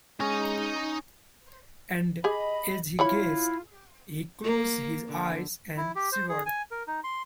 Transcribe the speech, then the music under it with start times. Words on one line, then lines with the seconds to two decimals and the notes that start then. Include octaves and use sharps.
And, as he gazed, he closed his eyes and shivered.
0.20 G#3 C#4 D#4 D#5
2.24 G4 G#4 D#5 B5
2.99 E3 E4 F4 C#5 B5
4.43 A#3
5.08 D3
5.77 E4
5.96 G4
6.12 C5
6.29 G#4
6.46 G#5
6.71 A#4
6.87 D#4
7.04 C6